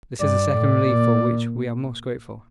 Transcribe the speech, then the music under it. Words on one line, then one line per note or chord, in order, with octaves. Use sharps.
This is a second relief for which we are most grateful.
G2 D5
A2
A#2